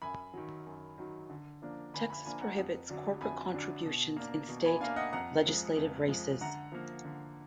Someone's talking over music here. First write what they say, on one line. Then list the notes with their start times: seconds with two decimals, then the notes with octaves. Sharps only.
Texas prohibits corporate contributions in state legislative races.
0.02 F#2 G#5 B5
0.34 D#3 F#3
0.67 F#2
0.98 D#3 F#3
1.29 D3
1.62 F3 A#3 D4
1.94 D3 G#5 B5
2.09 G#5 B5
2.25 F3 A#3 D4 G#5 B5
2.41 F#5 A#5
2.58 F2
2.89 D3 F#3 D4
3.21 F2 G#5 B5
3.54 D3 F#3 D4
3.86 B2
4.17 A#3 D4
4.48 B2
4.65 G#5 B5
4.80 A#3 D4 F5 G#5
4.96 D#5 F#5
5.12 F2 F#5 A#5
5.45 F3 G#3
5.77 F2
6.08 F3 G#3
6.41 D3 F#5 A#5
6.72 F3 A#3
7.04 D3